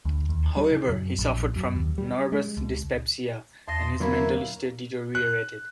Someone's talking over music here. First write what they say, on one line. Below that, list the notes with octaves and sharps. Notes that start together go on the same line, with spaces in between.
However, he suffered from "nervous dyspepsia" and his mental state deteriorated.
D2
D#2
G3
C#3
F#2
A#1
F#2
D#2
G3
G#3
C#2
E2 D#5 A5 C6 A#6
D3 F#3 A#3 B3 E4 C#5 E5
F#6